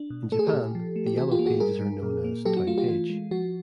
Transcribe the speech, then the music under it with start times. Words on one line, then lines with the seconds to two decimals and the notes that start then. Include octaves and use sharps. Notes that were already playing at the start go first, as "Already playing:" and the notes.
In Japan, the yellow pages are known as "Town Page".
Already playing: D4
0.10 B2
0.32 A3 A4
0.39 G#4
0.47 G4 A4
0.53 A#2
0.75 F3
0.96 A3
1.06 G4
1.17 E3 F#4 G#4
1.31 F4 G4
1.39 A#3
1.46 F#4 G#4
1.60 G3 G#4 A#4
1.81 G3
2.03 A#2
2.24 A#3
2.45 F#3 G4 A4
2.57 F#4
2.67 A3 F4
2.78 F4 G4
2.88 E3 F4
3.10 G#3
3.31 F3 F#4